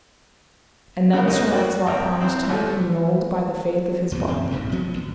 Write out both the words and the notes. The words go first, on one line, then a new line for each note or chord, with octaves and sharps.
And then Sir Launcelot promised him he nold, by the faith of his body.
C#3 B3 A#4
F2 A#3 C4 C#4 D#4
A#3 C#4 F#4 D5
G#1 G5 A#5
E3 C4 C5
D#2 A#2 A3
D#2 C3
F#2 A#2 C4
C2 G#2 C3
E1 F3 B3 C#4
G#1 D2